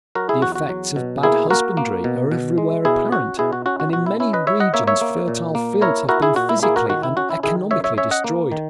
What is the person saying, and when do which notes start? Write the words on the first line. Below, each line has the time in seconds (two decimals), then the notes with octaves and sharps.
The effects of bad husbandry are everywhere apparent, and in many regions fertile fields have been physically and economically destroyed.
0.15 F#3 F#4 A#4
0.29 E4 G#4
0.42 E2 F#4
0.55 F#4
0.69 F#3
0.96 B2
1.23 A#3 E4 G#4
1.50 A#3 F#4 A#4
1.77 A#3
2.04 B2
2.31 B2
2.58 G#3
2.85 B2 E4 G#4
3.12 C#4 F#4
3.39 B2 E4 G#4
3.53 F#4
3.66 C#4 F#4
3.80 F#4
3.93 B2 F#4
4.06 E4
4.20 C#4 E4
4.33 B4 D#5
4.47 E4 C#5 E5
4.60 D#5 F#5
4.74 A#3 C#5 E5
4.87 C#5 E5
5.01 A#3
5.28 A#2
5.55 A#3
5.81 E4 A#4 C#5
6.09 E4 F#4 A#4
6.22 E4 G#4
6.36 A#2 F#4
6.49 E4
6.63 A#3 E4 G#4
6.76 F#4 A#4
6.90 D#3 F#4
7.03 E4
7.17 C#4 F#4
7.30 E4
7.43 D#3 E4 G#4
7.71 F#2 C#5 E5
7.84 C#5 E5
7.97 C#4 C#5 E5
8.11 D#5 F#5
8.24 A#3
8.52 D#3